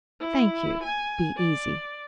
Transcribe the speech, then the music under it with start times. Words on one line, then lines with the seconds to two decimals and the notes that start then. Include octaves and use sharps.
Thank you; be easy.
0.20 E4
0.83 G#5
1.36 D5